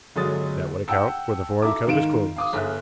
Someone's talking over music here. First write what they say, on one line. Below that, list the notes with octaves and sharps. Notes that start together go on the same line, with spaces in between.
That would account for the foreign cut of his clothes.
G1 D3 F#3 G#3 D#6 A6
F#5 G5 A5 E6
E4 A4 E5 A#5 D6
G#2 D#3 F5 D7 E7
F5 D6 D#6
G1 G#4 E5 F6 F#6